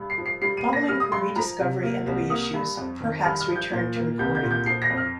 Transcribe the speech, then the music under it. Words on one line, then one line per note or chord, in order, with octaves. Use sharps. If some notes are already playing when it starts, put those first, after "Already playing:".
Following her rediscovery and the reissues, Perhacs returned to recording.
Already playing: G2
C7
F3
C7
G3 C7
D#7
A#3
A#6
G3 F6
D#6
G2 C6
F3 A#5
C3
A#3
C2
A#3 D#6
G2
F2
D#3
G2 F6
F6
F3
G6
A#2
A#3
C2 G6
G6
A#2
G6
F3 C7
A#6
F2
F6